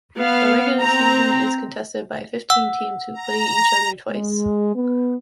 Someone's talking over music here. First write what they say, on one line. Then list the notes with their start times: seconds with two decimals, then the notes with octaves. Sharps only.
The regular season is contested by fifteen teams who play each other twice.
0.18 B3 F5
0.81 C4 A#5
2.50 F#5 E6
3.14 A#5
4.10 G#3
4.75 B3